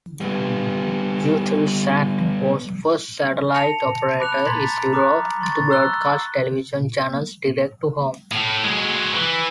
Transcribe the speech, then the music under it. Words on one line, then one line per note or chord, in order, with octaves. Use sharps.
Eutelsat was the first satellite operator in Europe to broadcast television channels direct-to-home.
G3 B3
A5 A#6 C#7 F7
B5 D6 F#6 F7
A#5 C6 G#6 A6 B6
A#5 D6 D#6 F6 F#6
C6 C#6 A6
A#5 E6 F#6 G7
A2
F#3 G#3
E3